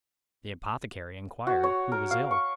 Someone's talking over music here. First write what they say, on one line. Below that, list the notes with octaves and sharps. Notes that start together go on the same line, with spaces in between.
The apothecary inquired who was ill.
F#4
C#5
A#4
F5
C#6